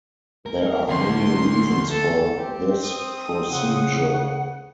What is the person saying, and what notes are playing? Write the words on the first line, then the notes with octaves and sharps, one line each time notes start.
There are many reasons for this procedure.
A#4
D2 C6
A4
C4 G4
D#6
C#3 F#5